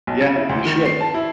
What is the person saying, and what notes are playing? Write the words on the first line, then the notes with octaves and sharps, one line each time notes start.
Yeah, you should.
B1
C#3
E4
D2
D#3
C7
A5
E4